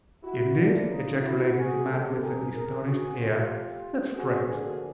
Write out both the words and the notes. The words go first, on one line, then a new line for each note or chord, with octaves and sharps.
"Indeed!" ejaculated the man with an astonished air, "that's strange!"
E4 F#4
C#3 F3 A#3 D4 E4
D#4 F4
E4 F#4
F#4 G#4
C#3 F#3 A3 G4 A4
G#4 A#4
G#4 A#4
F#4 G#4
C3 F3 A3 F4 G4
F#4 G#4
D3 F3 A#3 F#4 G#4